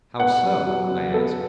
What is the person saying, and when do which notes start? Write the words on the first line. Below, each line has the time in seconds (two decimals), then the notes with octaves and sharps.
"How so?" I asked.
0.20 B3 F#5
0.43 F#2
0.67 F#3
0.90 F#1
1.14 B3 A4